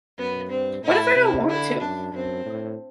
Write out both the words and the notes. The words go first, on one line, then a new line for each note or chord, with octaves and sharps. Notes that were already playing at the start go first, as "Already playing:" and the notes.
What if I don't want to?
F#2 B3
G2 C4
A2 E4
C3
D3 E4
F#2 D4
F#2 C4
A2